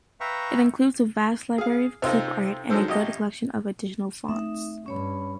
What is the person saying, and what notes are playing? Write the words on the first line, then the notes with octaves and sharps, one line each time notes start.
It includes a vast library of clip-art, and a good collection of additional fonts.
B4 E5 F5 G5 A#5 C#6
G#4 F5
C3 C4 D#4 F4 A4 C5
D#3 F#3 G#3 D4 A4 C5
A1 G4 D#5
A3 C4 D#4 E5
G2 C#4 C#5 B5